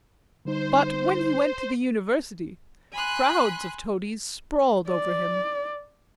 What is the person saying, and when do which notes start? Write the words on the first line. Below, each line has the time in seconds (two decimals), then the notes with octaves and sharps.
But when he went to the University, crowds of toadies sprawled over him.
0.45 D3 G3 D#4 C5
2.92 G#5 B5 C6 F#6
4.89 D5